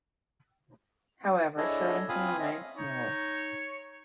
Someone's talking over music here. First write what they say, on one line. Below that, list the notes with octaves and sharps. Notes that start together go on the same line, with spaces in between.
However, Shirlington remained small.
D4 E4 G#4 A4 C#5 D#5
C4 F4 F5 G#5 B5 D#6
C#4 D#5 E5
D#4 C#5